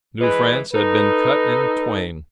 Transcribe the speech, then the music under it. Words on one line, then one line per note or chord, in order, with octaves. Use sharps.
New France had been cut in twain.
E3 G#3 B4
D#4 A4 B4